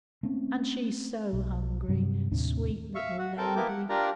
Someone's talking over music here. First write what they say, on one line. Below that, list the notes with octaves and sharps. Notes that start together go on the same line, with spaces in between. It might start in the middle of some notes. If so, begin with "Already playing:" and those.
"And she's so hungry, sweet little lady."
A3 A#3 C4 C#4
B1
G2 C3 F#3 G3
D#2 A2 C3 D4
E5 F5 C#6
F#4 F#5
C4 A4 A#4 G5 A5
A#3 B3 E4 A#4 G5 D6
F#5
D4 F4 G4 A#4 D5 A#5